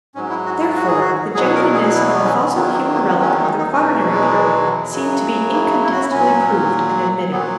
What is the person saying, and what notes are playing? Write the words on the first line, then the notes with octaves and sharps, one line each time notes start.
Therefore the genuineness of a fossil human relic of the quaternary period seemed to be incontestably proved and admitted.
G#2 F#3 C#4
E4
F#4
E4
F#4
G#4
F#4
E2 B2 F#3 G#4
A#4
G#4
E4
B3
C#4
E2 D#3 F#3 B3
A#3
A#3
C#4
B3
D#4
D#4
E2 B2 F#3 C#4
G#3
F#2 C#3 F#3
A#3
E4
F#4
E4
A#2 F#3 C#4
A#2 F#3 B3